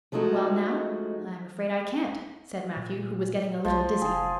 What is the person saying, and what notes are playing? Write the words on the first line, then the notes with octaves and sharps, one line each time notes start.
"Well now, I'm afraid I can't," said Matthew, who was getting a little dizzy.
F3 G#3 A3 D#4 F#4
A#2
B1 F3
F1 G#4